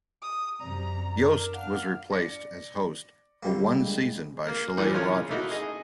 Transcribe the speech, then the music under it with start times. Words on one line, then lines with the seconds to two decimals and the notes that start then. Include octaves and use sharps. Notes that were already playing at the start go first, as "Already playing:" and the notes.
Yost was replaced as host for one season by Shelagh Rogers.
0.22 D#6
0.60 F#2 C3 D5 A#5
1.23 D4 A#4
1.53 F5 F#5
2.10 D5 A#6 C#7
3.43 D3 G3 A#3
3.79 G#3
4.47 A#3 A#4
4.77 A2 E3 F3 A3 D4
4.94 C#4 F4 A#4 C#5
5.10 C#3
5.29 A3 A#3 D#4 E4 F#4
5.51 G#4 D#5